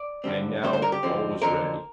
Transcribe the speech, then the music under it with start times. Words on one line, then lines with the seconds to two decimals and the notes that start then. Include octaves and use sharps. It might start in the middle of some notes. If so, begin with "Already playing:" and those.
And now all was ready.
Already playing: D5
0.24 G2 D3 G3 C4
0.63 G2 D3 G3 C4 C5
0.73 C5
0.82 A#4
0.92 G4
1.03 F2 D3 F3 C4
1.42 F2 D3 F3 C4 A#4